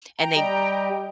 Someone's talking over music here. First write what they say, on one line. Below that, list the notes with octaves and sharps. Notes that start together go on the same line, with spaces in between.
and they
G5 A#5
G3 G4 D#5